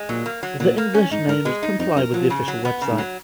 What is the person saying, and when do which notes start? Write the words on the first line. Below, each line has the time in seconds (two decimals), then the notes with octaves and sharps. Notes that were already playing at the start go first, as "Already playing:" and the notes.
The English names comply with the official website.
Already playing: G#3
0.09 A#2 F#3
0.26 A#3
0.43 F#3
0.60 A#2 F#3
0.78 A#3
0.94 C#4
1.11 G#2 D#4
1.28 G#2 A#4
1.45 B2 G#3
1.63 D#4
1.79 F2 D#4
1.96 F#2 A#4
2.14 F3 F#3
2.30 C#3
2.48 F#3
2.65 B3
2.81 C#3
2.91 G#2
2.98 F#3